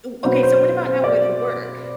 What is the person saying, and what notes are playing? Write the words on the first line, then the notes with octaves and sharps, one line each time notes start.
ooh, okay, so what about now with work?
B2 F#3 B3 C5
C5
C5
D5